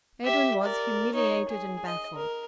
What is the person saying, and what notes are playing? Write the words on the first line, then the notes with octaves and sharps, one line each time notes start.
Edwin was humiliated and baffled.
G4 E5
A#4 D5
D#4 C#5
G#4
D#5
A#4